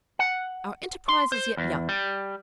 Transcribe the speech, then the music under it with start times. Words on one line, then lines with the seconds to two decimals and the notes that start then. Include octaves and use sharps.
'Our enterprise is yet young.
0.19 F#5
1.08 C6
1.32 C5
1.57 E2
1.89 G3